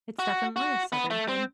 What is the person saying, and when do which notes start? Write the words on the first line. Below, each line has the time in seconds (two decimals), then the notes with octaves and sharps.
It's definitely a Southern thing.
0.19 F#4
0.56 F#4
0.92 B3
1.10 A3
1.29 C4